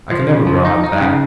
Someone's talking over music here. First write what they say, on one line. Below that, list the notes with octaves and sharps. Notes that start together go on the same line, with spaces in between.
I can never grow out of that.
F3
C#3
F3
D#4
D#4
C#3